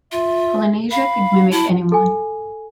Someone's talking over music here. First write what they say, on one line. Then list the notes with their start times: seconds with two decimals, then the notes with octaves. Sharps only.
Polynesia could mimic any one.
0.12 F4 E5
0.91 F5 B5
1.51 E4 A5
1.92 A4 G#5